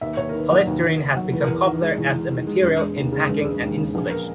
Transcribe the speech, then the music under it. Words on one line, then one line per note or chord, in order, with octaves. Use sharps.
Polystyrene has become popular as a material in packing and insulation.
D#2 E5
D#2 C#5
A#4
D#3 B4
F#3 A#4
D#2
D#2
D#3
F#3
E2 B4
A#4
E2 B4
D#3
G#3
E2
E2
D#3
G#3
E1 C#5
G#3
D#2
C#3
E1
G#3
D#2
C#3
A#1
A#4